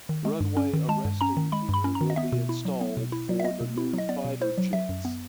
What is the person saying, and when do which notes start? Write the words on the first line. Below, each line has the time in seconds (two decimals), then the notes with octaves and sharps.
Runway arresting gear will be installed for the new fighter jets.
0.09 D#3
0.25 G#3
0.40 G2
0.57 C#4
0.73 D#3
0.89 G#3 A5
1.05 G2
1.21 C#4 A#5
1.37 D#3
1.52 G#3 B5
1.69 G2 B5
1.84 C#4
1.95 A#5
2.01 D#3
2.10 D#5
2.16 B3 E5
2.32 B2
2.49 E4
2.65 F#3
2.81 B3
2.97 B2
3.12 E4
3.29 F#3
3.40 E5
3.44 B3 D#5
3.61 B2
3.78 E4
3.93 F#3 D#5
4.09 B3 D5
4.25 B2
4.41 E4 C5
4.58 F#3
4.73 F#3 E5
4.89 F#2
5.05 B3